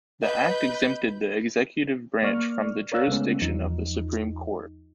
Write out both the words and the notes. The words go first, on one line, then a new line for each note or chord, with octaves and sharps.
The Act exempted the Executive Branch from the jurisdiction of the Supreme Court.
B4 D#5 G6
A#3 D5 C#6 F6
A#4 C#5 D5 F5 E6 F#6
C#3 G#3 A3 B3 C#4
E2 F3 D#4